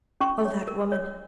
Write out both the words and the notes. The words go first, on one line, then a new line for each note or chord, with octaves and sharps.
Oh, that woman!
C#4 C#6
C#5
A#4
C#5